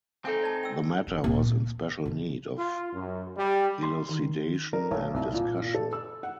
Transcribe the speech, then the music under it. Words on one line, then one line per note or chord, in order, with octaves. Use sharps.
The matter was in special need of elucidation and discussion.
C4 D#4 A4 F5 G#5
D5 A5
G5 E6
E1
D1 A#2
C4
C3 F3
F4
F#2
G3
C6
D#3
A#4
B1
C2
A#2
A#2
A4
E6
F#5